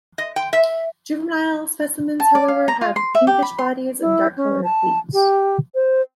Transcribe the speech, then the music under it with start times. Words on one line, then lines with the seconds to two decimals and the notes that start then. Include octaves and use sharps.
Juvenile specimens, however, have pinkish bodies and dark-colored feet.
0.18 D#5
0.36 G5
0.53 E5
2.20 A5
2.35 D5
2.48 F5
2.68 A#5
2.81 F4
2.96 C6
3.15 E5
3.27 G4
3.42 B5
3.58 C6
4.00 E4
4.37 C#4
4.64 A5
5.13 G4
5.75 C5